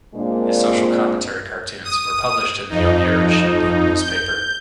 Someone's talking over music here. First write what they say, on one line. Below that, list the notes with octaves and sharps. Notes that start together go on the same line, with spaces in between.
His social commentary cartoons were published in the Yomiuri Shimbun newspaper.
A#2 G#3 A#3 C4 D4 F4
D#6 D#7
F2 D#4
G6